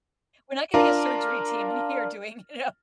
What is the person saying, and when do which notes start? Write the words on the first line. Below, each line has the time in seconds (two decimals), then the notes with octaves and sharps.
We're not getting a surgery team in here doing you know
0.74 D4 F4 A#4 D5